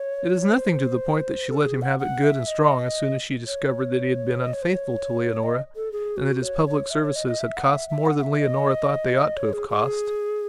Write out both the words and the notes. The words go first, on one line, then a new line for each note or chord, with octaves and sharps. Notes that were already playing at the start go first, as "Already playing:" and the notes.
It is nothing to the point that she let him have it good and strong as soon as she discovered that he had been unfaithful to Leonora and that his public services had cost more than Leonora thought they ought to have cost.
Already playing: C#5
C5
A4
G#4
F#5
F#5
E5
D#5
C#5
D#5
C#5
C5
C#5
D#5
A4
G#4
F#4
C#5
C#5
E5
C#5
D#5
D#5
E5
F#5
E5
E5
F#5
F#5
E5
D#5
C#5
G#4
G#4